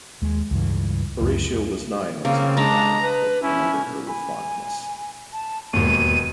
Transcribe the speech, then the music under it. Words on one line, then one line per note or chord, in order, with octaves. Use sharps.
Horatio was nine when his mother died, but remembered her with fondness.
D#2 G#3
C#2 G2 E3
C#2 F#2 A3
C#3 A#3 C4
G#3 D4 A5 A#5
B4
C#4 E4
G#5 B5
A5
E1 D#2 D#7